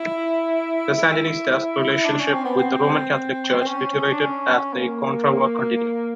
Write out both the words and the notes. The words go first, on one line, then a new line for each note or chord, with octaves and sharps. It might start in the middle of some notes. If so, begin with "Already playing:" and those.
The Sandinistas' relationship with the Roman Catholic Church deteriorated as the Contra War continued.
Already playing: E4
E4
D4
C#4
C4
B3
C4
C4
C#4
D4
C#4
A#3